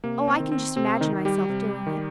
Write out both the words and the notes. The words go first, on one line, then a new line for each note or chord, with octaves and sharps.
Oh, I can just imagine myself doing it.
C3 A#3
C4
D#3
C4
C3 C4
D#3 D#4
D#3
G3 G4
C3
D#3